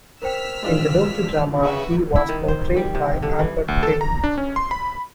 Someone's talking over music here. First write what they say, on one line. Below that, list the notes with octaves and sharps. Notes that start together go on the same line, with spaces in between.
In the docudrama he was portrayed by Albert Welling.
A#4 C5 G5 E6 F6 B6
G#3 D4 F4
C#3 F#4 B4 E5
E4
D#3
C5
G3
C3
D3
E3
D2
A4
A#5
D4
C#4
C6
B5